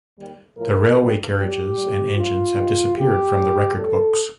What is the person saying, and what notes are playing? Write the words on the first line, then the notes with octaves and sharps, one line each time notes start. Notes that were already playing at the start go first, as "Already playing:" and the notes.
The railway carriages and engines have disappeared from the record books.
D#2 D#3 G3
A2 F3 A#4
G2 D#3 G3
A2 G3 G4
A2 G3
A2 F3 F4
G2 D#3 G3
F2 D3 F3 G4
A2 G3
A2 G3 A4